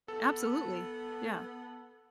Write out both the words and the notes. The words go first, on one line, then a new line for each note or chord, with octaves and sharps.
Absolutely. Yeah.
B3 A4